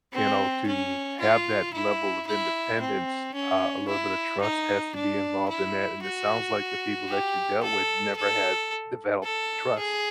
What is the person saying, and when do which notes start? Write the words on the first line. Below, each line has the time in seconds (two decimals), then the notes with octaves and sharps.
you know, to have that level of independence, uh, a little bit of trust has to be involved in that, and it sounds like the people that you dealt with never have developed trust.
0.13 C4
0.67 C#4
1.20 F4
1.74 E4
2.27 E4
2.80 C4
3.34 C#4
3.88 E4
4.41 D#4
4.95 D4
5.49 E4
6.02 F#4
7.08 G4
7.63 A4
8.16 A4
9.24 A4
9.77 G#4